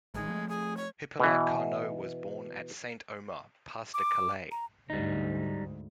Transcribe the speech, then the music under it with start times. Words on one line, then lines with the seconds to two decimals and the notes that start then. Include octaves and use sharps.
Hippolyte Carnot was born at Saint-Omer, Pas-de-Calais.
0.14 A1 D#3 G#3
0.28 F3 A3
0.49 G#4
0.77 C#5
1.20 B2 E3
3.94 D6
4.51 A#5
4.90 D2 G#2 G3 D#4